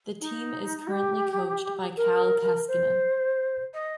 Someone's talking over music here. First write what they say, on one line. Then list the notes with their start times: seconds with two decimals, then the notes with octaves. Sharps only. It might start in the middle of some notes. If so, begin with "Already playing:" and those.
The team is currently coached by Kalle Kaskinen.
0.20 D#4
0.87 F#4
0.91 G4
1.97 A#4
2.68 C5
3.73 D#5